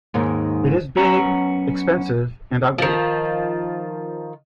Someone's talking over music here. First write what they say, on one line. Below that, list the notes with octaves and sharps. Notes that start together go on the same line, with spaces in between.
It is big, expensive, and ugly.
D#2 G#2 D#3
F#2 B3 C#4 F#4 A#5
D#3 F3